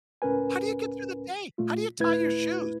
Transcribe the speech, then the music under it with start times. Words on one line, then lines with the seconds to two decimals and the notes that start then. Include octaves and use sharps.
“How do you get through the day? How do you tie your shoes?”
0.22 C#2 A2 C#4 A#4 B4 G#5
1.58 A#2 A3 F4
1.99 D#2 A#2 A3 E4 B4 G#6